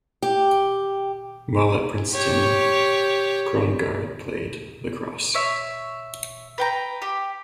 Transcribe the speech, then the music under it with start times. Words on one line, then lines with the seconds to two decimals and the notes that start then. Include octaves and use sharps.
While at Princeton, Krongard played lacrosse.
0.22 G4
2.13 G4 C#5
5.34 C#5 E5
6.58 B4 G5 A#5
7.02 G4